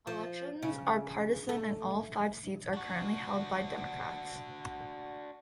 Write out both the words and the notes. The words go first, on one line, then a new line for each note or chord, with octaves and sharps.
Elections are partisan and all five seats are currently held by Democrats.
F3
C#3
A3
D4 F#4